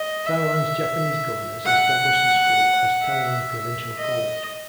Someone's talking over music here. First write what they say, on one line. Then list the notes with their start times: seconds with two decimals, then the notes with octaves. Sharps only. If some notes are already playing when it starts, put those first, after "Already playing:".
Taiwan's Japanese governors established the school as Taiwan Provincial College.
Already playing: D#5
0.27 E5
1.66 F#5
3.06 E5
3.98 D#5